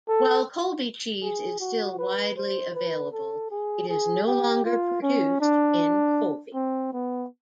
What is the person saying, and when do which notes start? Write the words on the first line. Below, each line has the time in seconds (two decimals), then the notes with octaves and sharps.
While Colby cheese is still widely available, it is no longer produced in Colby.
0.08 A4
1.23 G#4
1.60 F#4
1.98 B4
2.37 C5
2.75 B4
3.12 A4
3.51 G#4
3.89 G#4
4.27 G4
4.65 F4
5.03 C#4
5.41 D4
6.55 C4
6.93 B3